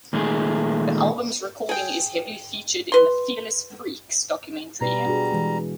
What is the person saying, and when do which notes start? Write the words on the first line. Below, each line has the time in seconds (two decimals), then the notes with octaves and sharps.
The album's recording is heavily featured in the "Fearless Freaks" documentary.
0.13 A#2 D#3 G#3 A3 D4 G#4
1.69 G#4 G5
2.92 B4 C6
4.81 B2 G3 B4 A#5
5.06 D4 F#4 G#4
5.32 E3 G#3